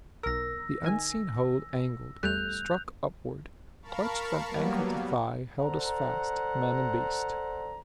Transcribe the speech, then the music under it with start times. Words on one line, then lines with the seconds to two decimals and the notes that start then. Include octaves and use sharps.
The unseen hold angled; struck upward; clutched from ankle to thigh; held us fast--men and beast.
0.23 B1 A#4 E6 A#6
0.84 D#3 G#5
2.23 E2 G3 A3 F#6 G6 F7
3.82 A#4 F5 A5 B5 C#6
4.47 F#3 G3 A#3 B3
5.60 A4 C5 D5 F#5 A#5